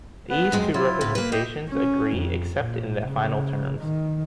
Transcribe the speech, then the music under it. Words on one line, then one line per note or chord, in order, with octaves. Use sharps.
These two representations agree except in their final terms.
B3 B4
F#2 G#3 C4
F#3 E4 F4
A2 B3
A#3 B4
E4 G4 D#5 G5
C#4
F2
A#2
C#3
D#3